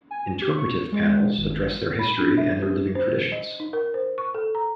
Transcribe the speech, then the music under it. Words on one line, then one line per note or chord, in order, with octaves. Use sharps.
Interpretive panels address their history and their living traditions.
G#5
G4
C#6
G#3
G#1
B5
D4
E5
G4
C5
D#5
D#4
A#4
C5
C#6
A4
A#5